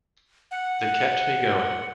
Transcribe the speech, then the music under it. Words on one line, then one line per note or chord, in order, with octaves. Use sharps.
They kept me going.
F#5